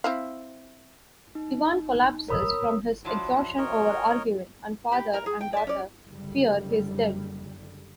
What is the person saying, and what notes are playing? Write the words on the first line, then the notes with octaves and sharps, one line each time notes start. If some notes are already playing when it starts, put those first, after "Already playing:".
Ivan collapses from his exhaustion over arguing, and father and daughter fear he's dead.
C4 E4 F5
D#4
A#4 C#5 B5 D#6 E6
F3 F#3 D4 E4
A#4 C#5 D#5
G4 B5
A#4 A#5
G#4
G5
D5 E5
C#4 D5
F#1 D3 G3